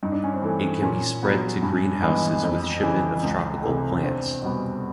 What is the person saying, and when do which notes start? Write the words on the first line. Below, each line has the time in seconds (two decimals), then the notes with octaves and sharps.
It can be spread to greenhouses with shipments of tropical plants.
0.03 G2 D#4
0.12 D4
0.24 C#4
0.34 C4 D4
0.42 E3 A3
0.82 A#2 C#4
1.23 F#3 B3
1.63 G2
2.02 E3 G#3 B3
2.43 F2
2.82 C#3 E3
3.23 C#2
3.62 C3 E3 A3
4.03 E2 C4 D4
4.42 B2 G3 B3